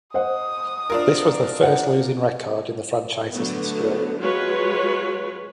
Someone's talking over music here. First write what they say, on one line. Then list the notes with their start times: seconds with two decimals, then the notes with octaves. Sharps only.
This was the first losing record in the franchise's history.
0.14 C5 D#5 F#5 D#6
0.90 D4 F4 A#4
1.63 F#5
3.32 D3 F#3 A3 B3
4.20 F#3 G#3 F4 F#4 B4 C#5